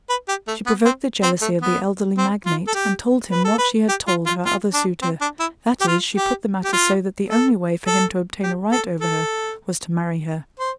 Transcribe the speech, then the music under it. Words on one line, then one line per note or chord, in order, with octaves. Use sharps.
She provoked the jealousy of the elderly magnate and told him what she had told her other suitor; that is, she put the matter so that the only way for him to obtain a right over her was to marry her.
B4
G4
A3
B3
C4
C4
A3
B3
C4
F4
A4
G4
B4
A4
B4
G4
F4
F4
F4
D4
C4
D4
E4
G4
F4
G4
G4
F4
A4
A4
G4
A4
A4
C5